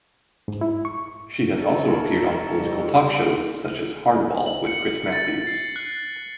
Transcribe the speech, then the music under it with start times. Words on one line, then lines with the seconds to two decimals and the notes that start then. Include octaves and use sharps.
She has also appeared on political talk shows such as "Hardball with Chris Matthews".
0.48 G#2
0.61 E4
0.85 C#6
1.54 A4 A#4 C#5
2.09 A#5
2.60 F2 G3
4.46 F#7
4.67 C#7
5.12 A6
5.47 C7
5.76 F#6